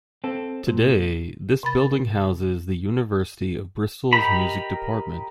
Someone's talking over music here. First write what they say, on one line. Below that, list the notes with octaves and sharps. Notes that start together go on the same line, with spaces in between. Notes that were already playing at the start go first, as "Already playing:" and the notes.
Today this building houses the University of Bristol's music department.
C4 A4
A#2
C3 B5 A6
G4 A#4 D#5 A#5 B5